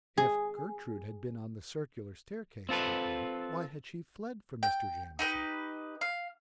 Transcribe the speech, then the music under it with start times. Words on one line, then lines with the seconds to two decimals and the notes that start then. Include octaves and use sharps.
If Gertrude had been on the circular staircase that night, why had she fled from Mr. Jamieson?
0.18 G#4
2.69 C4 F4 A4 B4
4.63 G5
5.19 D#4 G4 B4
6.01 F5